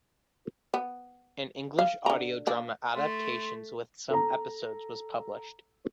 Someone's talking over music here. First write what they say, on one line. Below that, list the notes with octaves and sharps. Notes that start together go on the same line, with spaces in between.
An English Audio drama adaptation with some episodes was published.
B3
F5
D3 A#5
A#3 D4
A3 C6
A4 A#5